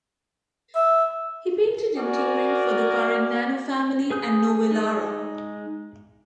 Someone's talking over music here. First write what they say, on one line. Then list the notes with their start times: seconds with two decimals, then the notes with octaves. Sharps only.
He painted in Turin for the Carignano family and Novellara.
0.75 E5
1.96 F#4 A#4 D5 G#5
4.10 G#4 B4 G#5 D#6 G6
4.71 G#3 D#4 G#4